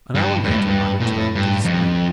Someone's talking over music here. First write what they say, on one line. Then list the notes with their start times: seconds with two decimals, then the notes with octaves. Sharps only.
An hour later I returned to the spring.
0.15 G2
0.44 G2
0.51 A2
0.59 G2
1.00 A#2
1.05 A2
1.35 G2
1.65 F2